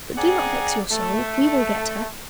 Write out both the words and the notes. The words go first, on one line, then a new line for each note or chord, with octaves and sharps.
But do not vex your soul; we will get her.
C4 G#4 D5 F#5 G#5 A#5
A3